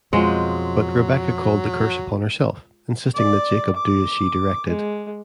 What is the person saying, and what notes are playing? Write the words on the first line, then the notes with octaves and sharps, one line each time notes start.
But Rebekah called the curse upon herself, insisting that Jacob do as she directed.
F2 B2 F#3 G#3 F4 C5 D#5 F#5
D5
D6
G#3